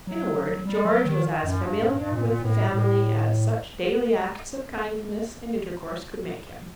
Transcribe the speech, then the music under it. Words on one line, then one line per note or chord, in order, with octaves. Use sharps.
In a word, George was as familiar with the family as such daily acts of kindness and intercourse could make him.
F#3
G3
F#3
D#3
F#2
G2
G2
G2
A#2
A#2
A2
A2